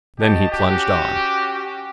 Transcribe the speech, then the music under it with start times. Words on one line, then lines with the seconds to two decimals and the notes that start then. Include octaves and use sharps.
Then he plunged on.
0.20 F#4 G4 D#5 A5
0.52 C#4 F#4 G4